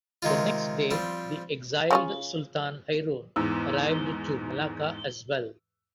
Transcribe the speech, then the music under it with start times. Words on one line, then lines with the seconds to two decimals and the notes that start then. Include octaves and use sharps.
The next day the exiled Sultan Hairun arrived to Melaka as well.
0.22 C3 D#3 G#3 F4
0.91 F3 G3 C4
1.91 C#3 C#4 F4
3.36 E2 G#2 E6